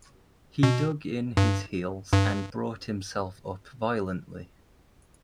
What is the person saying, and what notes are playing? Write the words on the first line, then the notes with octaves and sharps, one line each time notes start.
He dug in his heels and brought himself up violently.
B2
G2
G2